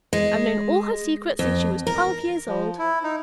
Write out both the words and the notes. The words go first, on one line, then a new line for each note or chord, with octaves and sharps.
I've known all her secrets since she was twelve years old.
G#3
F2
A#4
F3
E4
D#4